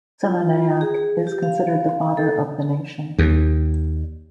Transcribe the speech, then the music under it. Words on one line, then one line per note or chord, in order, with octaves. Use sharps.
Senanayake is considered the "father of the nation".
F4
G#4
G4
F5
A4
D#2